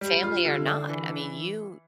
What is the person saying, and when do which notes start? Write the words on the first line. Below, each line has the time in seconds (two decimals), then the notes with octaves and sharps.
Family or not, I mean, you
0.01 G3
0.23 F4
0.45 D3
0.67 D4
0.89 E3